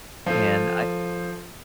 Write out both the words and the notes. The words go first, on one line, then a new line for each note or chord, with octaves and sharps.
And I
F3 A4